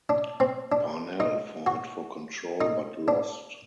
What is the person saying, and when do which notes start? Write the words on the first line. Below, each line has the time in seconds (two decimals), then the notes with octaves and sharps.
Parnell fought for control, but lost.
0.09 D4
0.40 C4
0.72 D4
1.20 D#4
1.67 F#4
2.61 D#4
3.08 D4